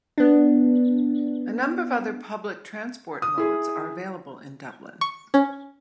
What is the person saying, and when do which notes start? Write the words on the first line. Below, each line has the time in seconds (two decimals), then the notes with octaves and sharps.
A number of other public transport modes are available in Dublin.
0.18 B3 D4
3.22 D#6
3.38 E4 G#4
5.01 C#6
5.34 C#4